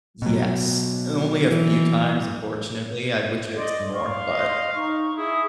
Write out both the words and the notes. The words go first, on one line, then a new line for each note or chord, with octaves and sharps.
Yes, and only a few times, unfortunately, I wish I'd seen more, but
B2 F#3
E3
D5 D#5 C6
F5 C6 C#6
D#5
D#4 C#6
E4 G#4 D#6